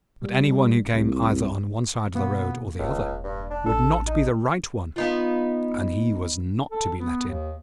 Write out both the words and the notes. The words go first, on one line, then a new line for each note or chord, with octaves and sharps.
But any one who came either on one side of the road or the other would not be the right one, and he was not to be let in.
G3
C2
B2 A#3 B3
E1 C#2
G2
D4
A1 D4 A4
D#4
B3 D#4 F4
A4
B3
D#2